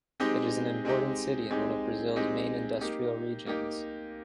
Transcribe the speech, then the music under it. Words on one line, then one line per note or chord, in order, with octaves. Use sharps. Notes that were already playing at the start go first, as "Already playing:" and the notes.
It is an important city in one of Brazil's main industrial regions.
G#3 C4 D#4 G4
G#3 C4 D#4 G4
G#3 C4 D#4 G4
G#3 C4 D#4 G4
A#3 D#4 G4
A#3 D#4 G4